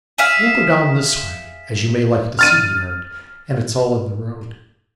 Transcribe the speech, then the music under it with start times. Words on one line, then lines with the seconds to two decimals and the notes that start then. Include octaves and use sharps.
We'll go down this way, as you may like to see the yard, and it's all in the road.
0.18 G#4 E5 F5
2.39 F6 A6 D#7